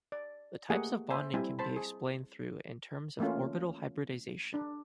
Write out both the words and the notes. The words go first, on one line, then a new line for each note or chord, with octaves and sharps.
The types of bonding can be explained through in terms of orbital hybridization.
D5
A3 A#3 G4 G#4 F#5 G#5
C5 E5 G#5
G3 C4 E4 G#5
C5 A5 B5
G#4
E3 A3 A#3 C#4 F4
D4